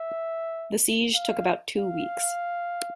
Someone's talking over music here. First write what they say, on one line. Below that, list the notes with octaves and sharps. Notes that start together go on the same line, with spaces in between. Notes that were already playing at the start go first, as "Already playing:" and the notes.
The siege took about two weeks.
Already playing: E5
F5
F5